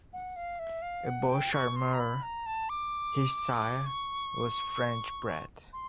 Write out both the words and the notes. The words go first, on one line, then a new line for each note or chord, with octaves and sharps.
Beau Charmeur, his sire, was French bred.
F#5
F5
E5
F5
F#5
G5
C#6
C6
A#5
B5
A#5
A5
D6
C#6
C6